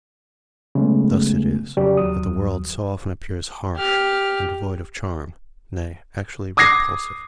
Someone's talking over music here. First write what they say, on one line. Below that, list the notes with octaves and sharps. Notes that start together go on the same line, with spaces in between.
Thus it is that the world so often appears harsh and devoid of charm, nay, actually repulsive.
C#3 F#3 G#3 A3 B3
F2 C#3 F#3 G4 D5
D#2 F#3 D#6
G4 F6
D6 D#6 G#6 A#6 C7